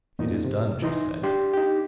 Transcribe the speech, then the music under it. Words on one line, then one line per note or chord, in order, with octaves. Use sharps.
"It is done," she said.
E2 A#2 D#4
C3
E3 D#4 C6
D4 G4 C6
D#4 G4